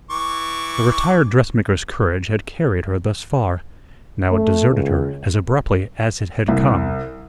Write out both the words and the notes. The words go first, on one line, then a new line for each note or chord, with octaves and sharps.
The retired dressmaker's courage had carried her thus far; now it deserted her as abruptly as it had come.
E3 C#6 D6
A3
C#2
C2